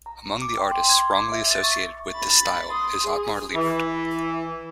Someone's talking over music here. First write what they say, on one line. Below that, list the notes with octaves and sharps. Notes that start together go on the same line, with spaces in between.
Among the artists wrongly associated with this style is Ottmar Liebert.
A#5
D6
G5
C6
G#6
D6
E5
A6
C#6
B5 A6
C6 D#6
G#4
E3